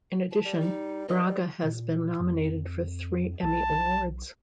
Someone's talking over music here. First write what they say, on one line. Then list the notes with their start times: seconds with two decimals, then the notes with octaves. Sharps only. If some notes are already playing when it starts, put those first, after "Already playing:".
In addition, Braga has been nominated for three Emmy Awards.
0.31 A5
0.45 G3
0.60 D#4
1.08 G2 D#5
1.27 G3
1.64 A#2
2.20 F2
3.43 B1 A5